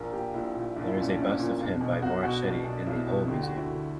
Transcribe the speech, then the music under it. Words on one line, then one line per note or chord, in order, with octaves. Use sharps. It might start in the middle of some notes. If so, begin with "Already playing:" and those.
There is a bust of him by Morochetti in the Hull museum.
Already playing: A#1 A#4
A#2 G4
A#1 E4
A#2
A#1 D4
E4
A#2 C#4
D4
C#4
A#1 D4
A#2
B1
B2
B1 F#4
B2 F#4
B1 D4
B2 D4
B1 E4
B2
D2 G4
F#4
D3
E4
D2